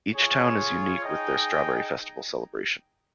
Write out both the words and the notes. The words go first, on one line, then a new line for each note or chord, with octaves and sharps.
Each Town is unique with their strawberry festival celebration.
F4 G#4 C#5
D#4 G#4 D#5 G5